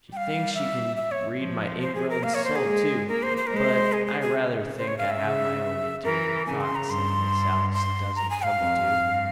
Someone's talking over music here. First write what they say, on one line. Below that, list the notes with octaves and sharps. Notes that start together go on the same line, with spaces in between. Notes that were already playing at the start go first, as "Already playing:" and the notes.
She thinks she can read my ingrown soul too--but I rather think I have my own interior thoughts that Miss Alice doesn't tumble to.
G3 F5 G5
E5
E5
C#5
F3
C5
G#4
A#4
A#3 F5
C#5
C5
G#4
G#3
A#3 A#4
C5
C5
G#3 A#4
C5
G#4
G#4
G#4
C#3
C5
C#5
F5
E5
C#3
E3 A#4
C#3 G#5
C6
A#5
G2 C6
C6
A#5
G#5
F5
F2
G2